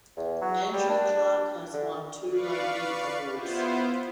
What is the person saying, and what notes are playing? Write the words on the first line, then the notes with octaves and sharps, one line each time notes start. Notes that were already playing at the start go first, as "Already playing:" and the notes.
Andrew Clarke has won two Logie Awards.
E2
F#3
G3
D4
D3
B4 D5 F5 C#6
B3 E4 F4 C5